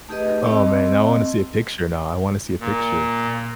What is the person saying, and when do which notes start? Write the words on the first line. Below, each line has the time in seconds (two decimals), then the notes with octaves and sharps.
Oh, man. I wanna see a picture now. I wanna see a picture.
0.09 A3 D#4 G4 G#4 B4 D#5
0.43 C4 D#5 A5 E6
2.60 A#2